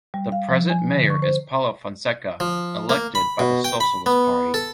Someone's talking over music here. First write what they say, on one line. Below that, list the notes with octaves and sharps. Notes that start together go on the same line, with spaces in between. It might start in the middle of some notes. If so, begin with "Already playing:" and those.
The present Mayor is Paulo Fonseca, elected by the Socialist Party.
G3
F5
F3
G#5
D3
C#6
C5
F3
A#3
B5
B2
G5
B5
B3
A4